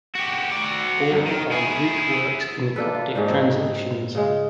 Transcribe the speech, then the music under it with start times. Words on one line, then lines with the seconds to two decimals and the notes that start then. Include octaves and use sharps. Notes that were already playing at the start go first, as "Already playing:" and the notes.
All are Greek works in Coptic translations.
0.15 F#4 G4
0.52 F#4 D5
1.12 C2 F#2
1.26 D#3
1.51 E4 G#4
2.76 A#3 D4 A4 B4
2.95 F4
3.15 G#2 C#4 D4 C5
3.27 C4 D#4
4.15 C#3 G#3